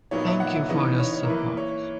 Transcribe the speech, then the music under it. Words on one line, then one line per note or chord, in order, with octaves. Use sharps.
Thank you for your support.
A#2 F#3 B3 D#4 C#5
E5
F#5
E5
C#3 E3 B3 D#4 D#5
C#5
C#5
A#4
E3 A#3 E4 B4
C#5